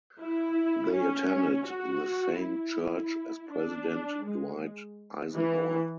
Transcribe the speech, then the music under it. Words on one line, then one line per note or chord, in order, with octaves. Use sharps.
They attended the same church as President Dwight Eisenhower.
E4
C#4
F#4
E4
D4
G#3
E3